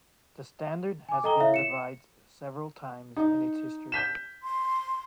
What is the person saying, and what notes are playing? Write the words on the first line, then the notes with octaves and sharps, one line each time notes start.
The standard has been revised several times in its history.
G#5 D6
A4 D#5 G5 A#5 D#6 G7
E4 C#5 E5 F5
C#7 E7
D#4
G6 B6 E7
C6